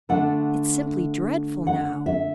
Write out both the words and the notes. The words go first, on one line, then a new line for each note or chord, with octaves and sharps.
It's simply dreadful now.
D3 A3 D4 F#5
F#5
E5